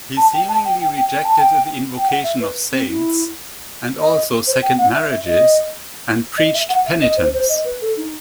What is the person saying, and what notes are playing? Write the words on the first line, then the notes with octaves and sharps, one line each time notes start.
He seemingly rejected the invocation of saints and also second marriages, and preached penitence.
A5
G5
A5
G5
G5
G5
G5
A5
G5
G5
F#5
E5
B4
C4
E4
D#5
C5
G5
F#5
E5
E5
D#5
D#5
E5
F#5
E5
D#5
C5
C5
D#5
B4
A4
D#4